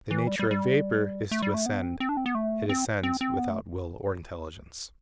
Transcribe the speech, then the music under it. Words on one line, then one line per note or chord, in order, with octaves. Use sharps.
The nature of vapor is to ascend; it ascends without will or intelligence.
E3
G3
G3
G3
A3
G3
A3
B3
C4
C4
D4
C4
B3
A3
C4
C4
C4
B3
A3